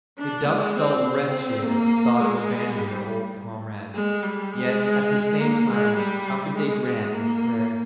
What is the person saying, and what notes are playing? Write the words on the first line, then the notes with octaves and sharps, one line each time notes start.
The ducks felt wretched at the thought of abandoning their old comrade, yet, at the same time, how could they grant his prayer?
D4
G#3
C4
C4
A#3
G#3
G3
G#3
G3
G#3
A#3
G#3
G3
G#3
G#3
A#3